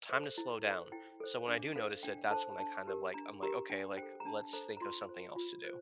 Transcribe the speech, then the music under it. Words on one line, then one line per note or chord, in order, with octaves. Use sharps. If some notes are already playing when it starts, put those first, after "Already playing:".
time to slow down," so when I do notice it, that's when I kinda, like I'm like, "Okay, like, let's think of something else to do."
A4 C5
E4
A4 C5
E4 G5
A4 C5
D4 D6
A4 C5 F5
D4 G5
A4 C5 A5
D4 A5
G4 A#4
D4 A#5
G4 A#4 A#5
D4 G5
C5 G5
A4
A#5
D4 A5
A4 C5 A#5
A#5
F4 C6
C5
F4
C5